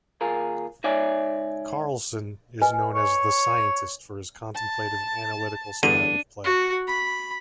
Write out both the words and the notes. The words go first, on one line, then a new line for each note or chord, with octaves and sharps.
Karlsson is known as "The Scientist" for his contemplative and analytical style of play.
D#2 F4 G#4 A#4
C#2 D#4 C#5 D5 E5 G#5
B4 D#5 G#5
C#5
A5
E2 G2 D3 D4 D#7
F#4
B5